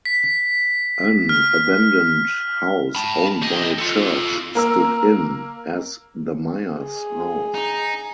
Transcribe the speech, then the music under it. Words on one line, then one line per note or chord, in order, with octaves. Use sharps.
An abandoned house owned by a church stood in as the Myers house.
B6
F6
A5 B5
G3 D#5
F4 A4
A#3 A#4 E6
G#4
D#4